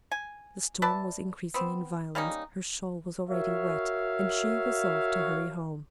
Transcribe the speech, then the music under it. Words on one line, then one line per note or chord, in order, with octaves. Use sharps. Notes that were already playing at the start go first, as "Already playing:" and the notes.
The storm was increasing in violence; her shawl was already wet, and she resolved to hurry home.
G#5
B4 D5 E5 A5
B3 C4
G3 A#3 C#4 D#4
F#4 A#4 C#5 E5 F5